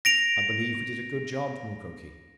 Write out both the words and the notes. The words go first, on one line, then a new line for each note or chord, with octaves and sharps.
"I believe we did a good job, Mukoki!"
A#6 D7 F7